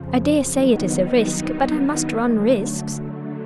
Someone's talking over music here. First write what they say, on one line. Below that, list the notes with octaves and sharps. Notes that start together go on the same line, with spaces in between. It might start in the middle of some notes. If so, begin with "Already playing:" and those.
I dare say it is a risk; but I must run risks.
Already playing: F2 C#3 F3
G2 D#3 F#3 B3 D#4
D3 F#3 A3